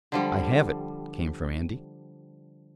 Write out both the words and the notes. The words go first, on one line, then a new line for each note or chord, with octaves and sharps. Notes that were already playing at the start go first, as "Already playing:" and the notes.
"I have it!" came from Andy.
D3 F3 G3